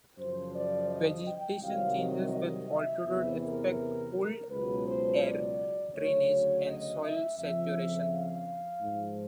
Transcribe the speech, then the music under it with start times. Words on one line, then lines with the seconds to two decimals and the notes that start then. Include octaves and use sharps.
Vegetation changes with altitude, aspect, cold air drainage and soil saturation.
0.18 F#2 C#3 F3 C5
0.54 D5
0.90 D#5
1.26 G5
1.62 C2 C3 D#3 F#3 F5
1.98 D#5
2.34 D#5
2.70 E5
3.06 E2 C3 E3
3.42 A#4
4.14 A#4
4.50 C#2 B2 F#3 B4
4.86 C5
5.22 D5
5.94 D2 C#3 F#3 C#5
6.66 D#5
7.02 E5
7.38 F2 C#3 F3 E5
8.10 F5
8.81 G#2 F3